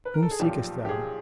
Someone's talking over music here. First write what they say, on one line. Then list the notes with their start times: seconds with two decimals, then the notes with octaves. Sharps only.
"Whom seekest thou?"
0.05 B4
0.14 A#4
0.23 A4
0.31 G#4
0.40 B1 A#2 F3 G4
0.85 G4
0.89 G#4